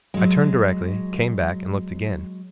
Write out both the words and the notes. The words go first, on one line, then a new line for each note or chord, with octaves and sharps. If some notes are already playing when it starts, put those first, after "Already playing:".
I turned directly, came back, and looked again.
F#3 G#3